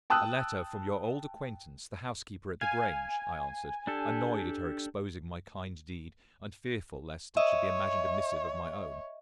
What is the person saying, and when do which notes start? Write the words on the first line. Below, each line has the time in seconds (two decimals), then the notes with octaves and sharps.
'A letter from your old acquaintance, the housekeeper at the Grange,' I answered; annoyed at her exposing my kind deed, and fearful lest it should be imagined a missive of my own.
0.10 G5 A5 D#6 E6 F#6
2.61 F5 G#5
3.87 D4 G4 A4
7.37 C#5 D#5 E5